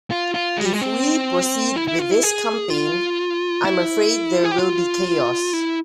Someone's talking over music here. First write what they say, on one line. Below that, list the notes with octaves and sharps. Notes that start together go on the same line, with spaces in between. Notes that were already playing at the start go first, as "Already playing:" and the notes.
If we proceed with this campaign, I'm afraid there will be chaos.
F4
F4
G#3
G3
G#3
C4
E4
E4
F4
E4
G#4
F4
E4
G#4
G4
F4
E4